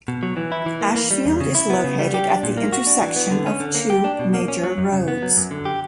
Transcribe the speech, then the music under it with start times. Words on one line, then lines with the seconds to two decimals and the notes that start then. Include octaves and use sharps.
Ashfield is located at the intersection of two major roads.
0.08 B2
0.23 F#3
0.37 E3
0.52 E4
0.66 E3
0.81 A#3
0.96 A#3
1.11 G3
1.26 E2
1.40 C#3
1.55 E4
1.70 B3
1.84 C#3
1.99 G3
2.14 G4
2.28 D4
2.43 A#2
2.57 A#3
2.73 F#4
2.87 D4
3.02 E3
3.16 B3
3.31 D3
3.46 C#4
3.60 D3
3.75 A#3
3.90 G4
4.04 D4
4.19 B2
4.34 A#3
4.48 C#4
4.63 F#3
4.78 F#2
4.93 C#3
5.08 B3
5.22 F#3
5.37 F#2
5.51 D3
5.65 G4